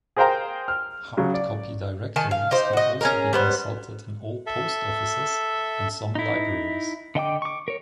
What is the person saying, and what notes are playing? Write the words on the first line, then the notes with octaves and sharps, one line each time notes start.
Hard-copy directories can also be consulted in all post offices, and some libraries.
G#4 A#4 C5 F5 G5 A#5
F6
C#3 F#3
D5
D#3 G#5 A5
F5
D#4 G4 C5
F#4 D#5
C#4 G#4 A#4
G3 B3 C5
A4 E5
D#4 E4
D3 D#5 G5 D6
C#6 D6
A#4 C#5